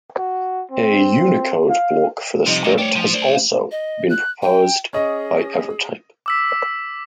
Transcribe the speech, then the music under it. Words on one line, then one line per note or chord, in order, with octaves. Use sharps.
A Unicode block for the script has also been proposed by Evertype.
F#4
C4
F5
C3 F3 G3 D#4
G2 D#3 A3 A#3 D#4
D4 G4 C#5
F3 D4
C5 D5
D#5
F#6
G5
C#4 G#4 D#5
D6 E6 B6